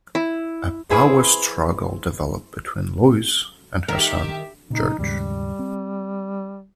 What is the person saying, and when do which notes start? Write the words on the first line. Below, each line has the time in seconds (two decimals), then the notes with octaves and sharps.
A power struggle developed between Lois and her son George.
0.15 E4
0.90 E4 G#4 B4 C5
3.89 D#3 G4 A#4 E5
4.70 A#2 C#3 D#4
4.99 D#2 G#2 C#3 G3
5.59 C4